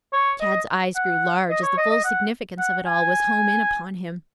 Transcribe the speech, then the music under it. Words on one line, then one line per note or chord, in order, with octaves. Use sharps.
Tad's eyes grew large as the full significance of it all was home in upon him.
C#5
D#5
F#5
D#5
C#5
D#5
D#5
F#5
F#5
G#5